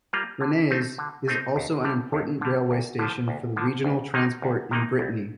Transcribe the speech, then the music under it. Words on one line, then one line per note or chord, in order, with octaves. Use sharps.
Rennes is also an important railway station for regional transport in Brittany.
G3 A#3 F4
D3
A3 C4 D#4
D3
A3 C4 D#4
D#2
D3 G3
D#2
D3 G3
D2
D3 F3
D2
D3 F3
D2
C3 D#3 A#3 D#4
D2
C3 D#3 A#3 D#4
C2